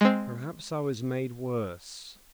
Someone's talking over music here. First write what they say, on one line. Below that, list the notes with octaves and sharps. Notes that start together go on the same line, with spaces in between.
Perhaps I was made worse.
G#3 C4